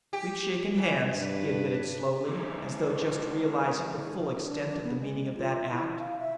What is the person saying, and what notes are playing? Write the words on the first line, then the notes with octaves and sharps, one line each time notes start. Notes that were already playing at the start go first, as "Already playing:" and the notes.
"We've shaken hands," he admitted slowly, as though just realizing the full extent of the meaning of that act.
G4
E3
G2 D4 B4
A#2 G#3
D4
D4
B3
G#3
F4
E4
F5
E5